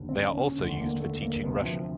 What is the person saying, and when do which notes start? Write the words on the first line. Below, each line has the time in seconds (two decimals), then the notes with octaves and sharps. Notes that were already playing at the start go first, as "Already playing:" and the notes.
They are also used for teaching Russian.
Already playing: F1 D#2 D3
0.09 C4
0.16 C#4
0.37 C#4
0.58 F1 D#2 D3
0.67 A3
0.80 A#3
1.00 A3
1.22 A#3
1.44 D2 C3 B3
1.65 F3